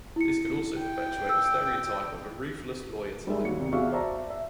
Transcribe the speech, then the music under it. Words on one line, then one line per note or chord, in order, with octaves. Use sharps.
This can also perpetuate the stereotype of a ruthless lawyer type.
E4 C#7
G5
E6
G3 G#3 D#4 A#4 E5
D#2 F#4 C#7
C2
E2 F#4 G#4 E5 F5 C#6
C5 D5 E5 A5 A#5
E5